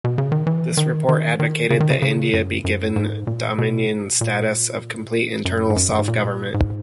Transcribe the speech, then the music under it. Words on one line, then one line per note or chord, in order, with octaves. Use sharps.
This report advocated that India be given dominion status of complete internal self-government.
B2
C#3
D#3
E3
D#3
D#3
D#3
C#3
D#3
C#3
C#3
F#2
F#2
G#2
A#2
B2
A#2
F#2
G#2
F#2
G#2
A#2
G#2